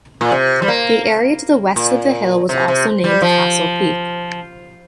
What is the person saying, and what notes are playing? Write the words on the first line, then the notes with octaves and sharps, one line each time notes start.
The area to the west of the hill was also named Castle Peak.
A#2
C3
G3
A#3
A#2
C3
C3
G3
F3